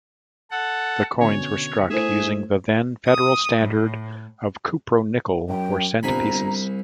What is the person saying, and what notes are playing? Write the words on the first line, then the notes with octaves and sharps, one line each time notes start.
The coins were struck using the then Federal standard of cupronickel for cent pieces.
A4 F#5
B2 D3 C#4 C#5
A3 E4 G#4 C5 E5
D#6
A2
F#2 G5
G1 C2 G#5 A#5 B5